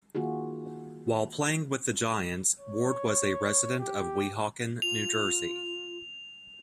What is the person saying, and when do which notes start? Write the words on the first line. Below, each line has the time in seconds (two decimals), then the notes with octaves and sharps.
While playing with the Giants, Ward was a resident of Weehawken, New Jersey.
0.15 D#3 A#3 F4 F#4 G#4
2.59 C#5
3.79 G4
4.82 F4 F7